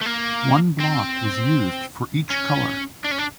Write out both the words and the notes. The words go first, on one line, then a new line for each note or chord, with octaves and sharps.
One block was used for each colour.
A3
A#3
C4
C#4
D4
C#4
D4